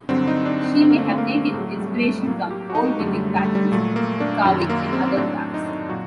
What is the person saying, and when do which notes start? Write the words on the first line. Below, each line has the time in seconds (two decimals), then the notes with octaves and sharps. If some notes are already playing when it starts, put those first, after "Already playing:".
She may have taken inspiration from old knitting patterns, wood carving and other crafts.
0.09 G2 D3 F#3 C4
0.28 D#4
0.46 D4
0.64 C4
0.81 G2 D3 F#3 C4
0.91 A#3
0.98 A3
1.06 A#3
1.18 A#3
1.54 A2 A3
1.59 F#3
1.79 G3
2.03 A3
2.27 A2 F#3 A#3
2.51 G4
2.70 F#4
2.75 D#4
3.00 F#2 D3 F#3 A3
3.07 G3
3.15 A3
3.36 G3
3.45 A3
3.55 G3
3.72 A#2 F#3 A3
3.96 A#3
4.21 D4
4.45 F#2 D#3 F#3
4.70 A#3
4.93 C4
5.17 A2 F#3 D4
5.54 D#4
5.90 A#2 F#3 F#4